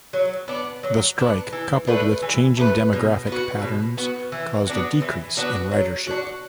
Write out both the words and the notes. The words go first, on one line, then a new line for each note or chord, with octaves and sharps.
The strike, coupled with changing demographic patterns, caused a decrease in ridership.
F#3
B3 D4
F#3
B3 D4
E3
A3 D4 B4
E3
A3 D4 B4
B2
B3
F#4
B2
B3 F#4
E3
B3 D4 F#4
E3
B3 D4 F#4
F#3
D4 F#4